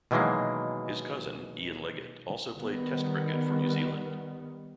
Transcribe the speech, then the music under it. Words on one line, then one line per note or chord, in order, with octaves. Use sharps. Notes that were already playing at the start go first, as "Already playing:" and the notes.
His cousin Ian Leggat also played Test cricket for New Zealand.
B2 D#3 E3 F#3 G#3 A#3
D#3 G3 B3